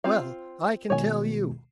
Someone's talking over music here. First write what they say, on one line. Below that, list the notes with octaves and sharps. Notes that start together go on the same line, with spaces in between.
Well, I can tell you.
C4 F4 F5
B2 D#3 G#3 C#5 G#5